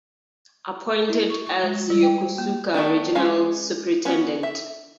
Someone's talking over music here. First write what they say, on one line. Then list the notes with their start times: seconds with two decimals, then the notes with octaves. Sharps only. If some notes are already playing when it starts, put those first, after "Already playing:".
Appointed as Yokosuka Regional Superintendent.
1.10 E4
1.30 C#6
1.47 C#6
1.64 G#3
1.90 G3
2.03 G5
2.21 C5
2.38 A#3
2.74 D#3 A3 B3 D4
3.15 G#3 C#4 F4 F5
4.05 B3 C#4 F#4
4.43 E5